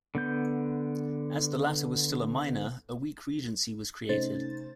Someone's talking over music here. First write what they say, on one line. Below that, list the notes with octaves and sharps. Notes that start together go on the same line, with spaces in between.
As the latter was still a minor, a weak regency was created.
D3 B3 G6
C3 A3 C#4 D#4 C5 A6